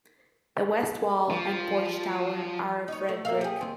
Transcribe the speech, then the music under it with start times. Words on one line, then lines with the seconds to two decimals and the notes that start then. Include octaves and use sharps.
The west wall and porch-tower are of red brick.
1.30 F3
2.88 D#4 C#5
3.09 A3
3.25 A#3 E5 F5
3.41 G4 G#4
3.61 D#2 C4